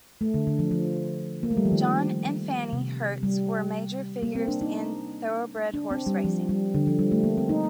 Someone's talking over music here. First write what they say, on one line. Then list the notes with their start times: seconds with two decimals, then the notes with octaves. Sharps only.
John and Fannie Hertz were major figures in Thoroughbred horse racing.
0.21 A3
0.34 D3
0.47 D3
0.59 F3
0.71 F3
1.43 A#3
1.51 A3
1.57 G3
1.65 F3
1.72 D#3
2.73 C3
3.23 G3
4.23 A#3
4.35 C4
4.48 D4
4.61 D#4
5.74 D4
5.91 C4
6.07 G3
6.24 F3
6.49 G3
6.75 D3
6.87 F3
6.99 G3
7.11 A3
7.24 A#3
7.37 C4
7.49 D#4